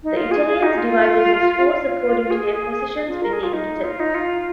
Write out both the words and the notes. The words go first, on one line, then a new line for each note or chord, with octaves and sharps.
The Italians divided this force according to their positions within Italy.
D#4
F4
G#4
G#4
D#4
F4
F4
G#4
F4
A#4
G#4
F4
D#4
F4
D#4
F4